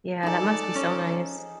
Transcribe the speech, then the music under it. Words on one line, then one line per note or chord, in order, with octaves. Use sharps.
Yeah, that must be so nice.
D#4 G#4 A4 D5
C#4